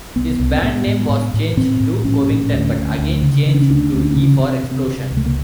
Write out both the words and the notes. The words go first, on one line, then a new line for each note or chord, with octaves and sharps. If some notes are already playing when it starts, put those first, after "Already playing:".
His band's name was changed to Covington but again changed to E For Explosion.
C2 B3
C2
C4
A2 B3
A2
A2
A2
A2 C4
A2
A#1 C#4
A2
D2
D2
D2
C#3
C#3
D4
C#4
D2 D4
D2 C#4
D4
C#3 C#4
C3 C4
C3
C4
C3
C#2
A3
A#3